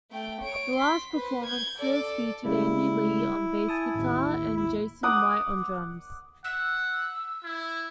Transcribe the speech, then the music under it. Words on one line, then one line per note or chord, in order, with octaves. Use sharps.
The last performances featured Andi Lee on bass guitar and Jasen Whyte on drums.
A3 G5
C#5 D7
C6 B6
B4 C5
G6 G#6
A4 D5
C#3 G3 G#3 E4
G#5 A5 D#6
A1 D#2
E4
F#5 D6 D#6
F#5 E6
E4